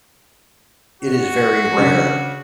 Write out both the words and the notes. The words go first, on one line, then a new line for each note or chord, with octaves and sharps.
It is very rare.
F#4
C#3 D4